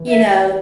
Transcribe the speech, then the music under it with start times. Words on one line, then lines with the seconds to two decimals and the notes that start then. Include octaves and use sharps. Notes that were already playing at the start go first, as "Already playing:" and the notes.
You know?
Already playing: E3
0.08 E5